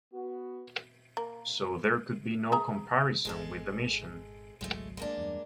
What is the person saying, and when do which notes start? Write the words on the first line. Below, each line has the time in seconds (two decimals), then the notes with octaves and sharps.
So there could be no comparison with The Mission.
0.13 B3 F#4
1.17 A#3
2.52 G#4 E5 A#5
3.25 G#1 G#3 G#4 A4
4.61 G#1 C#2 F#3 G#3 A3
4.97 G#3 A#3 D4
5.17 E2 G2